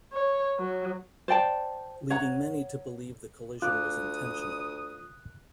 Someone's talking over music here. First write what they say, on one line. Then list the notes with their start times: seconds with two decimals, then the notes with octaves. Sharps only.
Leading many to believe the collision was intentional.
0.12 C#5
0.59 F#3
1.28 C5 D5 G5 A5
2.10 C#5 F#5 A#5
3.62 D2 F4 D6 D#6 F#6